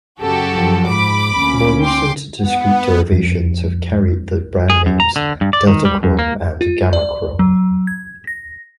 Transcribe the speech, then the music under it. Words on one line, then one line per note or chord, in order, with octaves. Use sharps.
More recent discrete derivations have carried the brand names DeltaChrome and GammaChrome.
F#2 C#3 F#4 G4 A4
F#2 F3
G#2 B5 D6
D2 A#3 C#4
G5 C6 D6
B3 F#5
F2 F3
G#4
F#2
A#5
D3
G2
D5
D#3
G3
F#2
A#3
F4
D5
F#3
G#6
A#6